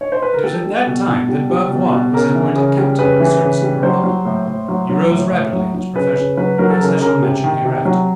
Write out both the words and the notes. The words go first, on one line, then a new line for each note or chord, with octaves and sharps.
It was at that time that Bavois was appointed captain in the service of the Republic; he rose rapidly in his profession, as I shall mention hereafter.
C#5
C5
B4
A#4
G3 A4
G3
B2
B2
G3
G3
B2
B2
C#3 A#4
E3
C#3
G3
C#3 B4
E3
C#3
G3
F#3 C5
F#3
A2
A2
F#3
F#3
A2
A2
F#3
F#3
C#3 B4
C#3
F#3 B4
F#3 A#4
A4
C#3 A#4
C#3 A#4
C3
D#3
C3
F#3